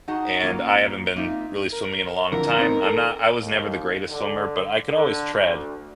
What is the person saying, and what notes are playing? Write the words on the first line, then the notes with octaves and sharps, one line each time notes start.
and I haven't been really swimming in a long time. I'm not I was never the greatest swimmer, but I could always tread,
D#4 F#4 G#4 D#5 F#5 A5
A#2 A#3 C#4 F4
A#3 C4 D#4 F4 E5
A#4
F2 D3 E3 A#4
B3 C4 D#4
A4
D#2
D3
D3
D2